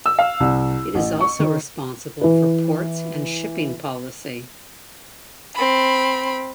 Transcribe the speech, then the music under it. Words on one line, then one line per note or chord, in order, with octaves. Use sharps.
It is also responsible for ports and shipping policy.
E6
F5
C2
A1
C#6
D#3
E3 B4
C4 B5